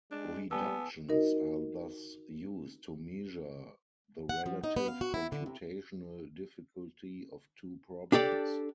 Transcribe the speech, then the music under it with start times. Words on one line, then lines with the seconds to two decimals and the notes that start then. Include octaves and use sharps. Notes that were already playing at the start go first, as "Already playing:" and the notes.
Reductions are thus used to measure the relative computational difficulty of two problems.
0.11 G#3 D4
0.51 G3 B3 G#5 A5 E6
1.09 D#4 F#4 A#4 D#5
4.29 F#5
4.46 F3
4.64 D#4
4.76 B3
4.88 F5
5.01 F#4
5.14 E4
5.32 D3
5.46 C3
8.12 D4 G4 A4 D5